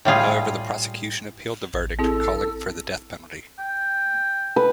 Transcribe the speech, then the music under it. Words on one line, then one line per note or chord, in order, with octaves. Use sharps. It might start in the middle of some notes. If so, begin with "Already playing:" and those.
However, the prosecution appealed the verdict, calling for the death penalty.
A2 G3 F4 G#4
A1
C4 E4 G#4 A4
G5
B4